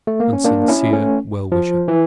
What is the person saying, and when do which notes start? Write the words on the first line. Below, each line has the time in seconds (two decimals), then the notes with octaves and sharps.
And sincere well-wisher.
0.07 A3
0.20 A#3
0.33 C#4
0.44 A#3 D4
0.68 C#4 E4
0.93 A3 C#4
1.52 F3
1.88 E3